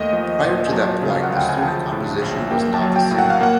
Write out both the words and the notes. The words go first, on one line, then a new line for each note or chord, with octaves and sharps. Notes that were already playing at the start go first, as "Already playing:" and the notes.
Prior to that point the student composition was not the same.
Already playing: D#2 A3 D#5
F3
A#2
G#5
F#3 A5
C#3
F5
F#5
D2 G5
G#5
F3 A5
A2
A#1
A#3 G5
A5
F#3
G5
A2
F#5
F5
A#3 F#5